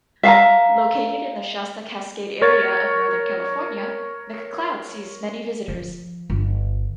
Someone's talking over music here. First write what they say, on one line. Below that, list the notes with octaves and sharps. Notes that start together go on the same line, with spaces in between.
Located in the Shasta Cascade area of Northern California, McCloud sees many visitors.
E5 F5 A5 A#5
A#4 C#5 A6
F3
G1